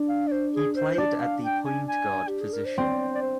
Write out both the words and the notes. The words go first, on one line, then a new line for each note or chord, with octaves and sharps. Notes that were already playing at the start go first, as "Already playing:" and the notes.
He played at the point guard position.
Already playing: D4
F5
D5
C5
G#4
C5
C5
D4 D5
F5
G5
G#5
G#5
G4
G#4
A#4
C5
C4 D5
D5
C5